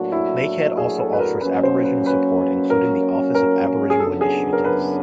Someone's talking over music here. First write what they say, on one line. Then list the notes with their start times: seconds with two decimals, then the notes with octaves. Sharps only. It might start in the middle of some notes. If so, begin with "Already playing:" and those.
Lakehead also offers Aboriginal support including the Office of Aboriginal Initiatives.
Already playing: A2 F#3 A#3 D4 F#4
0.12 E4
0.77 G#4
0.98 A4
1.13 B4
1.20 A#4
1.41 F#3 A#3 C#4 B4
1.63 C5
1.84 B4
2.06 B4
2.70 A#4
3.35 A#4
3.90 G#4
3.99 F#2 C#3 F#3 B3 D4 A4
4.21 G#4
4.53 A#4
4.64 B4